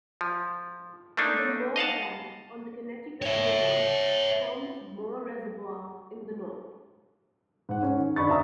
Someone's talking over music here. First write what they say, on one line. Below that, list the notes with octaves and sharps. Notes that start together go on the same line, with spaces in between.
The Moore Dam on the Connecticut River forms Moore Reservoir in the north.
F3
A3 A#3 D4 D#4
D#5 F5 F#5 A5
C#5 E5
G#2 F#5
C#4
D#3
D3 D5 B5 C#6 A6
D5 E5 A#5 D#6 E6